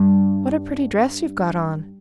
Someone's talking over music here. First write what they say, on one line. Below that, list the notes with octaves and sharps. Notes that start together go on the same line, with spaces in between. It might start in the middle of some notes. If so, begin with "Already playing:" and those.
"What a pretty dress you've got on!"
Already playing: G2